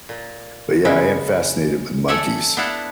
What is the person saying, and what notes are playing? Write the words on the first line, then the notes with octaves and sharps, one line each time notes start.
but, yeah, I am fascinated with monkeys.
A#2
C#3 G#3 C#4 E4 F#4
A4 C#5 D5 E5 F#5 G#5
B3 D4 E4 F5 F#5 A5